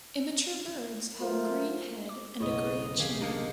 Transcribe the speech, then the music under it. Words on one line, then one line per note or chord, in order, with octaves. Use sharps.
Immature birds have a green head and a grey chin.
F#3 A3 F4 A#4 C5
D6
F#1 B1 E4 C#5 D#5
D#3 G4 G#4 F5
C3 G#3 A#3 D4 G4 A4 D#5 C#7